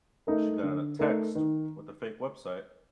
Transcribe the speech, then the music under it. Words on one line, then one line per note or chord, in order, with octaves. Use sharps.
she got a text with a fake website
A3 D#4 A#4
D3
A3 D#4 A#4
D#3